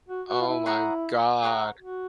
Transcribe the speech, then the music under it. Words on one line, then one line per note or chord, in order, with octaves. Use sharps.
Oh my god.
F#4
F#4
F4
E4
G#4 C#5 F#5 A#5
G#4 C#5 F#5 A#5
F#4